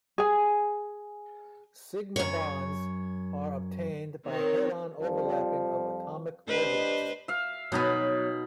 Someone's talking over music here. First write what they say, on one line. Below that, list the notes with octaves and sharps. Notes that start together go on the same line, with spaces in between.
Sigma bonds are obtained by head-on overlapping of atomic orbitals.
G#4 G#5
F#2 C#5
D#3 C4 C#5
F2 F3 G3
D4 G4 B4 C5 D#5
E5 F5
B2 F#3 B3 D#4 B5